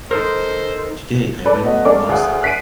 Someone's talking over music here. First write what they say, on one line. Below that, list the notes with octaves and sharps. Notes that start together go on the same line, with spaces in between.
Today I went to Mombasa.
D#4 A4 A#4 C5
D4 A4 B4 D5
A3 B3 F#4 D#5
G#3 D4 A4 A#4 C#6 D6
D2 G#4 F5 F#5 D#6
F#6 B6 C7 D7 D#7